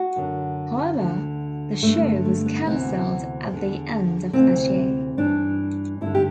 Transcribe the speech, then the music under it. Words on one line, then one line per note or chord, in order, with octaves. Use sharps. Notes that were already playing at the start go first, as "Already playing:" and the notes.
However, the show was canceled at the end of that year.
Already playing: F#4
F#2 D3
D2 D3
G2 D3 A3
A3
B3
D2 C3 E3 B3
E2 D3
D2 C3 E3 C4
G2 E3 D4
G2 D3 E4
G4